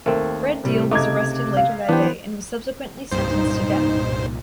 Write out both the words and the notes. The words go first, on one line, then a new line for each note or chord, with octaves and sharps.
Fred Deal was arrested later that day and was subsequently sentenced to death.
D#2 A3 C4 A#4
A2 C3 G3
C#2 A3 D#4 D6 G#6
F5
E3 B3 D4 G4 C5
C2 G2 A#2 D#4 C5